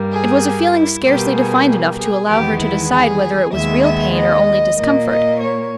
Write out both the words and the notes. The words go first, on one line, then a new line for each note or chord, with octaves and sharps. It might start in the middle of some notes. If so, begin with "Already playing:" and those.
It was a feeling scarcely defined enough to allow her to decide whether it was real pain or only discomfort.
Already playing: G2 G3 A#3
G#4
E4
B2 G3 A#3 G4
G#4
G#4
G#4
E2 D#3 G#3 B3 G4
E4
G#4
D#2 D#3 G#3 B3 E5
E5
D#5
A#2 A#3 D#5
D#5
C#5